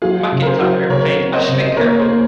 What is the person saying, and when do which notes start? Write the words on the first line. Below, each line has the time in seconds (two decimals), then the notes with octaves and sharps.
McIntyre played Ashley Kerwin.
0.02 F#3 F4 G#4
0.32 C#3
0.42 A#4
0.46 G#4 C5
0.61 F#3
0.90 C#3 A#4 C#5
1.19 C4
1.33 C5 D#5
1.49 C#3
1.66 D#5
1.77 A#3 A#4 C#5
1.99 G#4 C5
2.07 A#3